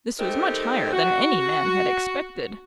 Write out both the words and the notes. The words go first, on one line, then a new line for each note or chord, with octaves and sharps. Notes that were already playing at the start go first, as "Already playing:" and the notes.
This was much higher than any man had expected.
G3 A3 C4 D#4 A#4
F#4